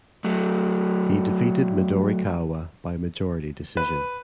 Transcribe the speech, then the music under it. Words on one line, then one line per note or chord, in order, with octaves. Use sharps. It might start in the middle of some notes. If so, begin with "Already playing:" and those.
He defeated Midorikawa by majority decision.
F#3 A3
B4